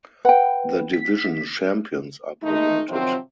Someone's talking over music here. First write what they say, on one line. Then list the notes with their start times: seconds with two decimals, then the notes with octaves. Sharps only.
The division champions are promoted.
0.25 B4 F#5 G5
0.93 B6
2.43 D#3 G#3 A3 D#4
2.89 C3 D#3 F3 F#3 C4